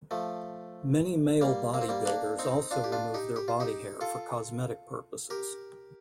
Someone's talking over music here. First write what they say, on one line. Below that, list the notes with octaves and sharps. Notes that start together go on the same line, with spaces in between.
Many male bodybuilders also remove their body hair for cosmetic purposes.
F3 A3
G3 A#3
A#3
C4
G3 A#3
A#3 D4
C4 D#4
D4 F4
G4
D4 F4
D#4 G4
G4
F4
D#4 G4
F4 A4
G4 A#4